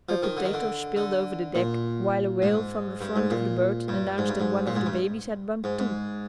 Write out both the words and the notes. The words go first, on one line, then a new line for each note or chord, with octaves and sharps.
Her potatoes spilled over the deck, while a wail from the front of the boat announced that one of the babies had bumped, too.
F3
D#3
D3
D#3
D3
D3
A#2
G#2
G2
G#2
A#2
G2
G#2
G2
G#2
A#2
G#2
G2
G#2
G#2